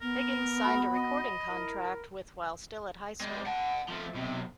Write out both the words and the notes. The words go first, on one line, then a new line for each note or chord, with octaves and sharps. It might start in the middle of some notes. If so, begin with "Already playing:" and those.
Higgins signed a recording contract with while still at high school.
B3 A#4
F#4 B5
D#5
E4 A#4
G3 G#3
F#5 A5
F3 A3
B1 C3